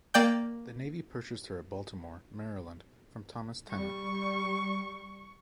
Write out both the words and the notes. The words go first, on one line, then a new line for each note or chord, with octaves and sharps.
The Navy purchased her at Baltimore, Maryland, from Thomas Tennant.
A#3 D5 G5 G6
G3 C#6